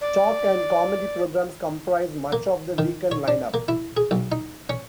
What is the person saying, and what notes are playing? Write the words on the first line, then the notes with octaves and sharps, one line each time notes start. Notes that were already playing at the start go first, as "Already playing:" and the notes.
Talk and comedy programs comprise much of the weekend line-up.
D5
A#3
D#3
C#5
D4
A#3
E4
G#4
B1
D#4
C#4